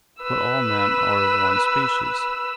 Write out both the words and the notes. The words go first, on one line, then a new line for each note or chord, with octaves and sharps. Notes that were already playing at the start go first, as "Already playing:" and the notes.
But all men are of one species.
B4 E6